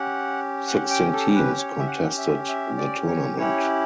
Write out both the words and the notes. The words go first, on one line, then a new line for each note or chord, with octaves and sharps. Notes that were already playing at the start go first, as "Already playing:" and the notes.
Sixteen teams contested the tournament.
Already playing: C#4 G4 F#5
F#5
G5
A4
B4
C#5
E5
F#5
E5
E5
D5
C#5
C#4 E4 G4 C#5